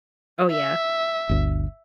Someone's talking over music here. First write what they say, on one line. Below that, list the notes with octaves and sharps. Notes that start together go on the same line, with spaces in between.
Oh, yeah.
E5
G1 D2